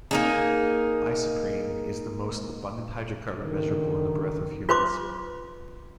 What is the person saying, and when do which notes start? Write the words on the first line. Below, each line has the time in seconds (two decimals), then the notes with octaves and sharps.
Isoprene is the most abundant hydrocarbon measurable in the breath of humans.
0.11 A#3 D#4 G#4
3.42 F#1 D3 D#3
4.69 F4 B4 C5 C6 D6